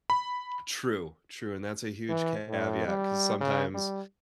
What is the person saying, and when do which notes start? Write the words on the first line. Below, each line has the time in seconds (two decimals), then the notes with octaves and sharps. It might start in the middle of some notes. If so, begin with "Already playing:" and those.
True, true, and that's a huge caveat 'cause sometimes
0.10 B5
2.09 E3
2.48 A2
2.87 G3
3.41 C#3
3.75 G3